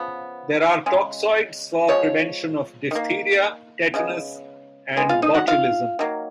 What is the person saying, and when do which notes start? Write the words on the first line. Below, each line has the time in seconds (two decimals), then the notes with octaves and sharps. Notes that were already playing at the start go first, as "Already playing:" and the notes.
There are toxoids for prevention of diphtheria, tetanus and botulism.
Already playing: C#3 F3 B3
0.86 C#3 G#3
1.88 F3 G#3 C#5
2.91 D#3 A#3
3.94 C#3 G#3 B3
4.96 D#3 G#3 B3
5.09 F4 F5
5.22 D#4 D#5
5.35 F#4 F#5
5.48 F4 F5
5.99 D#3 F#3 A#3